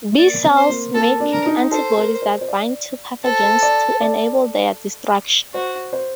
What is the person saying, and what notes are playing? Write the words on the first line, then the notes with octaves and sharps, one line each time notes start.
B cells make antibodies that bind to pathogens to enable their destruction.
A#3 D5
C4
C5
A#3
A#3 A4
D4
A#4
D#4
A4 C5
A#4
C5
C5
D5
A4 C5
C5
D5
D5
F#4 C5
C5